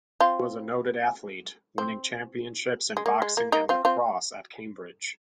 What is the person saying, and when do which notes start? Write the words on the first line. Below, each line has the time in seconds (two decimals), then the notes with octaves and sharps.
He was a noted athlete, winning championships in boxing and lacrosse at Cambridge.
0.20 C4 F4
1.78 C4
2.97 G#3
3.06 A#3
3.22 G#3
3.37 A#3
3.52 A#3 D#4
3.69 C4 F4
3.85 C4 F4